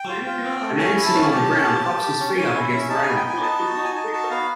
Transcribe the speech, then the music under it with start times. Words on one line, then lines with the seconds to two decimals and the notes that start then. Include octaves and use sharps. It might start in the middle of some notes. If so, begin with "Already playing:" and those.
A man sitting on the ground props his feet up against the railing.
Already playing: G5
0.09 F4
0.27 F4
0.44 C4
0.61 A3
0.79 C#4 G#5
0.96 E4
1.06 A5
1.14 C#4
1.31 G4 A5
1.50 C#4
1.58 A5
1.67 G4
1.85 G4
2.02 G4
2.20 C#4
2.37 C#4 G#5
2.55 E4
2.64 E5
2.72 C#4
2.89 D#4 A5
3.03 G#5
3.08 B3
3.16 G5
3.25 B3 G#5
3.43 D#4 A5
3.60 F#4
3.77 D#4
3.85 G#5
3.95 D#4 A5
4.13 F#4 A5
4.30 B3 F5